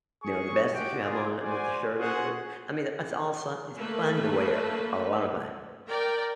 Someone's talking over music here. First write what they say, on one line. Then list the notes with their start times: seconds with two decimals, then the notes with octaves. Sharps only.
you know, the vest that you have on with the shirt under it. I mean, that's all someth It's fun to wear, a lot of fun.
0.23 G#4 C#6
0.73 G#3 F#4 G4 G5
1.03 A#3 F4 G#4 D5
1.43 F#4 C5 D5 G#5
1.99 C#4 F#4 G#4 C5 F#5
3.76 A3 A#3 B4
5.88 A#4 D5 G5